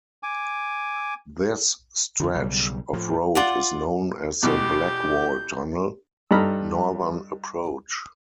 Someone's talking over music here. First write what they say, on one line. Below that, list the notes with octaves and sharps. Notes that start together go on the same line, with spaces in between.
This stretch of road is known as the Blackwall Tunnel Northern Approach.
G#5 D6
F2 D3
B1 C#3 G3
A2 F3
F4 D5 F#5
E2 B2 E3 G4 D6 G6
G2 D#4 A4 A#5 B5 F6